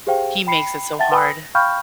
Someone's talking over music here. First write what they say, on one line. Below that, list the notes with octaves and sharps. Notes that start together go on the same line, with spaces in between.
He makes it so hard
G4 G#4 C5 F5 G5
G5 B5 C7 C#7
E5 F#5 G5 A5 A6
B4 G5 G#5 B5 D#6 E6
A#6
F5 G5 B5 C#6 F6 G6